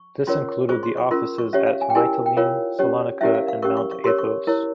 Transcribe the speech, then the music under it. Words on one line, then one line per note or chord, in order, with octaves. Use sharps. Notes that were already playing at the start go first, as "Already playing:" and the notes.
This included the offices at Mytilene, Salonika and Mount Athos.
Already playing: C#6
C#4 F4 A#4 C#5 C6
F4 G#4 C5 C#6
C6
C#6
C#4 F4 A#4 C6
C#6
C#4 G4 C#5 E5
F5
G#5
G5
E4 G4 A#4 G#5
G5
F4 A#4 C#5 F5
C#4 G4 C#5
C#4 E4 G4 A#4 E5
F5
F5
C#4 G4 A#4 C#6
C#6
C#6
G4 A#4 C#5 C6
C#6
E4 A#4 C#5